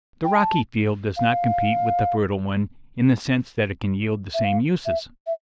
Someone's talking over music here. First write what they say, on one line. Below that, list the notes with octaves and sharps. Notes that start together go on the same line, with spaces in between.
The rocky field does not compete with the fertile one in the sense that it can yield the same uses.
G5
A5
F5
E5
F5
E5
E5